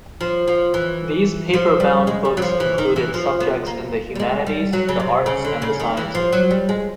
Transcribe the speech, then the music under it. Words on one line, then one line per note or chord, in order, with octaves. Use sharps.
These paperbound books included subjects in the humanities, the arts, and the sciences.
F3
F3
E3
F3
G3
G#3
G3
F#3
F3
E3
D#3
E3
F3
B3
A#3
G3
G#3
G3
F#3
C#3
C3
C#3
D3
C#3
D#3
E3
F3
F#3
G3
G#3